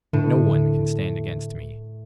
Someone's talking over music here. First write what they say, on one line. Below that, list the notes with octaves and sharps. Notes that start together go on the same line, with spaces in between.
No one can stand against me.
A2 D3